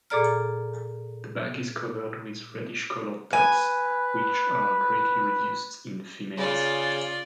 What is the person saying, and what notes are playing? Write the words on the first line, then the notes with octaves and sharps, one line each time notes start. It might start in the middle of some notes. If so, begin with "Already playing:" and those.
The back is covered with reddish-coloured dots, which are greatly reduced in females.
A#2 G#4 A4 D5 A#5 F6
B4 G#5
C#3 F4 D5